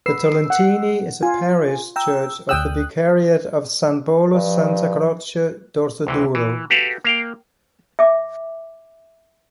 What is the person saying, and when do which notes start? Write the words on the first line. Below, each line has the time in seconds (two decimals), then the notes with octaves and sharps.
The Tolentini is a parish church of the Vicariate of San Polo-Santa Croce-Dorsoduro.
0.06 B4 E6 C7
0.50 F#5
1.23 F4 G#5
1.96 G5 A#5 E6
2.49 D2 G5 D#6 E6 F#6
4.34 G2 F3
6.07 D2 C3 E3
6.35 E3
6.70 F#4 G4 A4 B4 F5
7.04 A#3 F5 G5
7.99 E5 D6